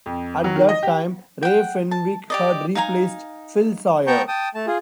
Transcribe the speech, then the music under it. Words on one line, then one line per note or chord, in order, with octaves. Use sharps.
At that time Ray Fenwick had replaced Phil Sawyer.
F2
F#3
D#3
D#5
G4
F#5 G5
A5
G4 D5 D#5
D#4 F5 G#5 A#5
B3 G5 A5 A#5 C#6 G6
G5 A5 D#6
A3 A5
F4 G#4